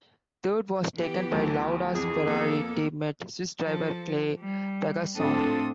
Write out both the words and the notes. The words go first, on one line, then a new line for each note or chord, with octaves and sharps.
Third was taken by Lauda's Ferrari team mate, Swiss driver Clay Regazzoni.
E3 B3 G4
D2 F#3 A3
F2 E3 G#4
A#3 B3 A4
F3 A4
G3
A2 F3 C4 D4 A4 D#6